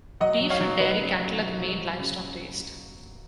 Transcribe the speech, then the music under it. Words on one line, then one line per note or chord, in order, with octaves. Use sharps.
Beef and dairy cattle are the main livestock raised.
F#3 D#5 F#5
F#3
C#5 F5
F#3
F#3 B4 D#5
C#3
F#3
F#3
F#3
F#3
C#3